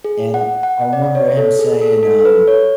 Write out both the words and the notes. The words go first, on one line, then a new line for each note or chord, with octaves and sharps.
and I I remember him saying, um,
G#4
F#5
F#5
D5
C#5
A4
G#4
A4
A4
A4
B4
C#5